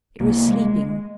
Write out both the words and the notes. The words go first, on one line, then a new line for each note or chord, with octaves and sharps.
It was sleeping.
C2 C3 A#3
G#3